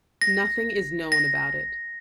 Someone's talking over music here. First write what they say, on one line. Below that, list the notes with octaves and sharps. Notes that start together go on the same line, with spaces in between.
Nothing is known about it.
A#6
A#6